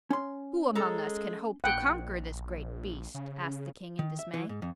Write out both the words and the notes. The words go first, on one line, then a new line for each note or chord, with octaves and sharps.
"Who among us can hope to conquer this great beast?" asked the King, in dismay.
C#4 C6
G#3 A4 A#5
A#1 F#5 G5
C#3
D#3
E5
E3
G#2
F2